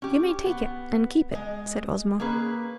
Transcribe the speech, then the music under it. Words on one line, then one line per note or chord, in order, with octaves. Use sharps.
"You may take it and keep it," said Ozma.
C#4 G4
B3
G#3 D#5
A#3 C#4 G#4 B4